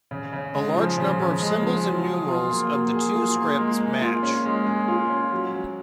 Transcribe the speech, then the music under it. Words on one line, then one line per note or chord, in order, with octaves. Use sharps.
A large number of symbols and numerals of the two scripts match.
C#3
C#3
G#3
F3
C#3
C#3
G#3
F3
F#3
G#4
F4
A#3
F#3
G#4
F4
A#3
G#3
G#3
F4
C#4
G#3
G#3
F4
C#4
F#3
F#3